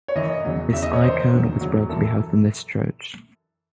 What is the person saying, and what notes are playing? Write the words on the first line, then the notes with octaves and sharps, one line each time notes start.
This icon was brought to be housed in this church.
C#5
F#2 E3 D#5
E2 C#3 F#3
E2 C#3 E3 E5
D#5
C#5
F#2 E3 C5
E2 D#3 F#3
E2 C#3 F#3
F#2 E3 A4